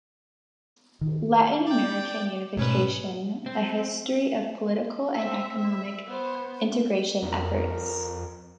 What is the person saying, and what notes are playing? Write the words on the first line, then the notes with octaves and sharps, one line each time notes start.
Latin American Unification: A History of Political and Economic Integration Efforts.
D#3
D5 G5
G#2 B2 A3 C#4 B4
C4
C4 E5
E5
B3 C5
F2 A#4